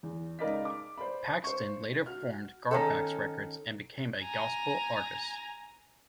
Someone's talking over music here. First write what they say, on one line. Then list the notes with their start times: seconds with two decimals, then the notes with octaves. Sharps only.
Paxton later formed Garpax Records and became a gospel artist.
0.03 E2
0.39 C#2 D#4 A#4 D5 D#5 B6
0.65 D6
0.98 C5 D5 B5
1.44 C5 C#6
2.06 F#4 F6
2.71 D#3 C#4 A4
4.21 G#5 A#5